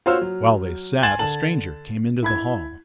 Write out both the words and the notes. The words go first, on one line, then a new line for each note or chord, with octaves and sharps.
While they sat, a stranger came into the hall.
F4 F#4 C5 C#5 E6 F6
F#3
G#5 C6 G#6 A6 E7 F#7
D3 A5 F#7
E4 B5 G#6